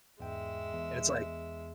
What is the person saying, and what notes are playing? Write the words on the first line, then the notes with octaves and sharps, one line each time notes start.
and it's, like
E2 G#2 G#3 E5 G5
E2